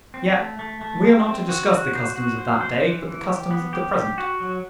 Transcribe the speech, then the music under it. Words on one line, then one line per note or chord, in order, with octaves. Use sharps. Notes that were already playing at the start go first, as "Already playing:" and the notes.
Yet we are not to discuss the customs of that day, but the customs of the present.
C4
A3
A3
A3
C4
C4
F#4
F#4
C5
F#4
C5
C5
E3
E3
G4
B3
G4
G4
F#4
F#3